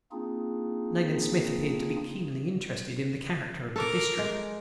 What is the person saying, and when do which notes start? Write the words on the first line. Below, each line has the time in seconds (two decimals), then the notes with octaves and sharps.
Nayland Smith appeared to be keenly interested in the character of the district.
0.12 A#3 C4 D4 D#4 F4 G#4
3.76 A4 A#4 D6
4.18 G#3